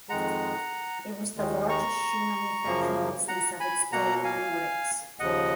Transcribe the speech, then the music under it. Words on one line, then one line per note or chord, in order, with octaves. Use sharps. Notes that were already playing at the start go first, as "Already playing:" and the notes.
It was the largest shoe manufacturing business of its day in the Nordics.
F2 D#3 G#3 F#5 A#5
D#2 D#3 G#3
A#5 C#6
F#2 C#3 F3 A#3
F#5 A#5
G#5 B5
B2 A#3 F#5 A#5
F5 G#5
D#2 C#3 F3 D#5 F#5